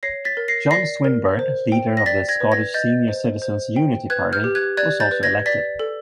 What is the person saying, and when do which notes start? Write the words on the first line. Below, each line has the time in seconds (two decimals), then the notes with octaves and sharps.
John Swinburne, leader of the Scottish Senior Citizens Unity Party, was also elected.
0.03 C#5 A#6 C7
0.25 A6 B6
0.37 A#4
0.48 A#6 C7
0.71 D5 A#6 C7
1.04 A#4
1.39 C5
1.72 G5
1.97 A#6
2.06 D5 A6 B6
2.29 G#6 A#6
2.40 B4
2.52 G#6 A#6
2.74 D#5 G6 A6
3.08 C5
3.42 C5
3.76 G5
4.10 B4 F#6 G#6
4.33 F6 G6
4.44 G4
4.55 F#6 G#6
4.77 D5 F#6 G#6
5.00 G6 A6
5.11 B4
5.23 G#6 A#6
5.46 D5 A6 B6
5.79 A4